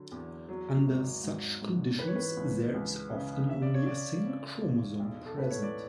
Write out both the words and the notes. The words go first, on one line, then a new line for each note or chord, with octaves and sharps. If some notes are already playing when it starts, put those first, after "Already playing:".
Under such conditions there is often only a single chromosome present.
Already playing: D3 F#3
E2
F#3
G#1
G#2
G#2
E3 B4
C#5
B4
C#2
C#2
C#3
C#3 E5
D5
C#5
C#3 D5
C#3
E2
B1
A4
A2 B4
C#5
D5